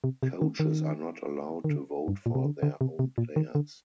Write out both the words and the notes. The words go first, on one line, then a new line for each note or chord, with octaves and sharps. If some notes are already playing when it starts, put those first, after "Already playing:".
Coaches are not allowed to vote for their own players.
C3
C3
D#3
D#3
D#3
D3
G2
A#2
C3
D3
D3
C3
C3
A#2
D#3
D3